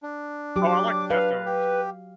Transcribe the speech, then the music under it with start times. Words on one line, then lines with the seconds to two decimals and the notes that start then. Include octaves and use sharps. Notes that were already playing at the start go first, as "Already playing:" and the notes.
Oh, I like the Deftones.
0.03 D4
0.56 F#3 G4 D6
1.10 B4 F5
1.46 G4